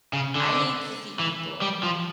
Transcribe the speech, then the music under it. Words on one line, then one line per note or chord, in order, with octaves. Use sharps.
I need to see people.
C#3
D3
E3
G3
F3